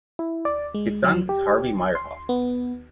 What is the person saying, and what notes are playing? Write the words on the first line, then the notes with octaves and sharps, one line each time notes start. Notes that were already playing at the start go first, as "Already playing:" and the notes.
His son is Harvey Meyerhoff.
E4
D5
G#3
F#3
G4
C6
B3